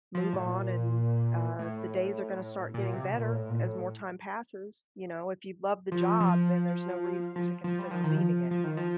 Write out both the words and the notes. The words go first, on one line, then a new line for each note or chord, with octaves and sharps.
move on and, uh, the days are gonna start getting better, as more time passes, you know, if you love the job then there's no reason to consider leaving it.
F3
A2
A#2
A2
A#2
C3
A#2
A2
A#2
A2
F3
F3
F3
F3
G3
F3
D#3
F3
F3
D#3
F3